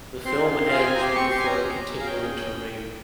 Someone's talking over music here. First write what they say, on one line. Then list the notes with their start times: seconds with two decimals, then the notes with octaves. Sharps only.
The film ends with the phone continuing to ring.
0.25 C4 C6
0.40 F4 G#4
0.56 C4
0.69 F4 G#4 F5
0.77 G5
0.85 C4 G#5
0.95 A#5
1.00 G4 C6
1.15 C4 C#6
1.31 G4 C6
1.39 G#5
1.45 C#4 A#5
1.62 G#4
1.77 C#4
1.91 G#4
2.00 F5
2.06 C#4 G5
2.22 G#4
2.36 C#4